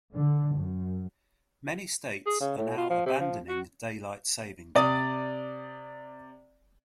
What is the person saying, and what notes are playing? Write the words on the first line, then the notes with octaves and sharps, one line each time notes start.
Many states are now abandoning Daylight Saving Time.
D3
F#2
G#4
C#3
A2
F4
F3
C3
F3
F#4
C3 D5 D#6 A6